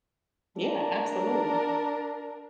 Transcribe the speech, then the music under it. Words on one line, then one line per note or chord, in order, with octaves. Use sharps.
Yeah, absolutely.
D4 A#4